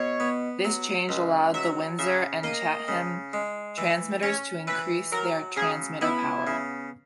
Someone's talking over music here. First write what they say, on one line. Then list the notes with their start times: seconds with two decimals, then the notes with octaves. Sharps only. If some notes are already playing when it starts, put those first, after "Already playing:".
This change allowed the Windsor and Chatham transmitters to increase their transmitter power.
Already playing: B2 C#5
0.20 B3
0.65 F#3
1.09 C#2
1.54 F#3 E5
1.98 C#3 E5
2.43 A#3 D#5
2.88 C#3
3.33 G#3
3.78 E3
4.23 C#4 C#5
4.67 E3 B4
5.12 F#3 A#4
5.56 C#3 G#4
6.01 B3 E4
6.47 C#3